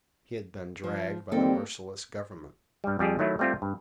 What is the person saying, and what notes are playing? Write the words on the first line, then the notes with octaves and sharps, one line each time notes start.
He had been dragged by the merciless government.
F3
D#3 G3 A#3 C4 G4 A4
G2 G3
F2 G3 G4 G#4
D#3 F#3 A3 E4
G3 A3 C4 F4 G4
G2